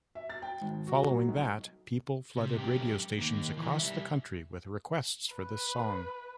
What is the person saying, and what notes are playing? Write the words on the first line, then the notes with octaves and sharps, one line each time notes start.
Following that people flooded radio stations across the country with requests for this song.
E5
A6
G5
G#1
F#4
F#3
B1
C3
F#2 G4
D#3 A#3
D#3 E3
G3 E5
B4